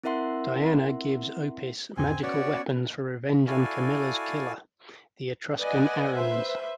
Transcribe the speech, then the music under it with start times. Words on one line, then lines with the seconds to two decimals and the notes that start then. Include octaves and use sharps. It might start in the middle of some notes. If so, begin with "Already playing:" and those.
Diana gives Opis magical weapons for revenge on Camilla's killer, the Etruscan Arruns.
0.04 C4 E4 A#4 E5 F#5 C6
1.97 E2 G#2 C4 G#5
2.23 B3 C#4 F#4 C#5 D5
3.47 E4 F#4 A4 D5 F5 G#5
5.58 B4 D5 D#5 F#5 G#5
6.14 B4 C5 E5